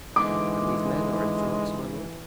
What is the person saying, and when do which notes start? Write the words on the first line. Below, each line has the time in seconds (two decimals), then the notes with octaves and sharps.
"And these men are in France, my lord?"
0.16 G#2 D3 E3 G#3 D6